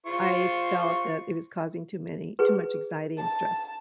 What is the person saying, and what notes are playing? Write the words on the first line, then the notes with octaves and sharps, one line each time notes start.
I felt that it was causing too many too much anxiety and stress.
F4 C5 C#6
G#4 B4
A5